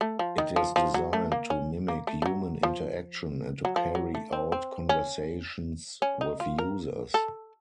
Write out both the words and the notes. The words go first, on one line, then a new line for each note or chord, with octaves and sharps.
It is designed to mimic human interaction and to carry out conversations with users.
A3
F3
D#3
F3
F3
F#3
A3
A#3
C#4
A#3
A3
A3
F#3
F3
F#3
F3
F#3
A3
C4
C4
C#4
C#4
D#4
F4
A#4
A4